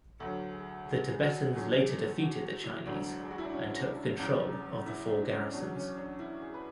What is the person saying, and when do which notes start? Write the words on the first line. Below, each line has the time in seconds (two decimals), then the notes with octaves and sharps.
The Tibetans later defeated the Chinese and took control of the Four Garrisons.
0.19 D2 D3 F#3 A4
0.53 G#4
0.86 G#4
1.10 G#4
1.20 F#4
1.53 E2 D3 F#3 G#4
1.86 A4
2.19 F#4
2.42 F#4
2.64 E4
2.86 E1 D2 D3 F#3 D4
3.23 G#4
3.31 F#4
3.38 E4
3.45 D4
3.53 C#4
3.86 D4
4.19 F#1 E2 C#3
4.86 E4
5.08 D4
5.31 C#4
5.52 E2 B2 F#3 D4
5.75 C#4
5.97 D4
6.19 E4
6.41 G#4
6.54 B4